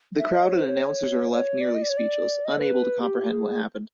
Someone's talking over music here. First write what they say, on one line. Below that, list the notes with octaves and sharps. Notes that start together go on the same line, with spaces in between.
The crowd and announcers are left nearly speechless, unable to comprehend what happened.
E5
D#5
C#5
C5
C#5
C#5
D5
D#5
D5
C#5
D5
D#5
B4
G4
G#4